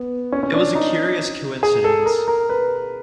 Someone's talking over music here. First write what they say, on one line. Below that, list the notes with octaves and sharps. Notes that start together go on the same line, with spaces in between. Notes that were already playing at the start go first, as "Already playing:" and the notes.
It was a curious coincidence.
Already playing: B3
C#4
C#4
D4
D#4
G#4
A4
A#4
A#4
B4